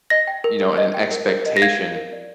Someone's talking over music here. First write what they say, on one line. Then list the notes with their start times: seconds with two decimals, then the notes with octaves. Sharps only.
you know, and an expectation,
0.10 D#5 A#6
0.27 G5
0.44 A#4
0.61 A#4
0.78 D#5
0.94 G5
1.11 A#4
1.28 A#4
1.46 D#5
1.57 A#6
1.62 F5 G#6
1.79 A#4
1.96 A#4
2.13 D5